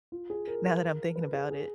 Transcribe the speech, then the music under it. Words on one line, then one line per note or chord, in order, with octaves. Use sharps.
Now that I'm thinking about it.
F4
G#4
A#4
A#4
B4
G#4
G#4